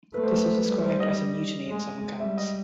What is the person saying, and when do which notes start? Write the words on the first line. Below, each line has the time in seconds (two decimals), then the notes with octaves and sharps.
This was described as a mutiny in some accounts.
0.14 A3 B4
0.24 C5
0.34 B4
0.44 C5
0.54 B4
0.66 G3 B4
0.82 C5
1.00 D#5
1.69 G#3
2.20 G3 E5
2.38 D#5